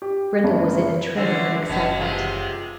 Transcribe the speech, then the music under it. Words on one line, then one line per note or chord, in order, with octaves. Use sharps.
Brenda was in a tremor of excitement.
G4
F#1
D3 C4 C#4
F#1 B2 C#4
C3 G#3 F4